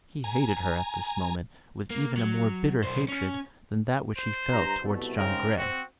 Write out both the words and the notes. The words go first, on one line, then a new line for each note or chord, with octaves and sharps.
He hated her at this moment with even a more bitter hatred than that which he felt towards John Grey.
G#5 A#5
A#3
F#3
B1 C5
C#4
C5
G2 A#5
C2 B2 A3
G#2 C#3 C4 A#4
C4 F#4